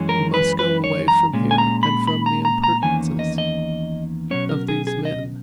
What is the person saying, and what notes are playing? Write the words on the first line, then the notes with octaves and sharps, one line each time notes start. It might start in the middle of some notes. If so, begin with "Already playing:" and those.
You must go away from here and from the impertinences of these men.
Already playing: F#2 E3 G#3 C#4
A#4
B4
B4
C#5
A#5
A#2 G#3 C#4
G#5
A#5
B5
B5
A#5
A#5
A#5
E2 D#3 A#3 C#4 G#5
D#5
D#5
B2 F#3 C#4 C#5
A#4
G#4
G#4
D#5